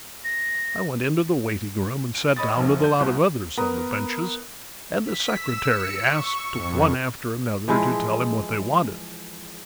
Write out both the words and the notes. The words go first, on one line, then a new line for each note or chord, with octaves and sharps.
I went into the waiting-room and sat down with a lot of others on the benches, and the secretary asked one after another to tell him what they wanted.
A#6
D7
C#5 D#5 B5 D#6 A6
F1 A#1
G6
C2 B2
B3 A#4 A#5 D#6
B6
E6
C#7
C#6
F2
E3 F3 G#3 E4